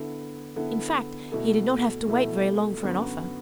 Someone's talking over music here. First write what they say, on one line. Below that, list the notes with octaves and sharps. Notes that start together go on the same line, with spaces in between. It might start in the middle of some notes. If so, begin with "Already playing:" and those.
In fact, he did not have to wait very long for an offer.
Already playing: D3 B3 E4 A4
D3 B3 E4 A4
B2 A3 E4 A4
B2 A3 E4 A4
F#2 D3 B3 F#4